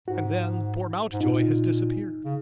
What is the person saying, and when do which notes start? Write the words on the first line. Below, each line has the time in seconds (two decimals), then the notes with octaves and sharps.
And then poor Mountjoy has disappeared.
0.08 G#2 F#4
1.13 G#2
1.21 A#2 D#4
2.25 C#3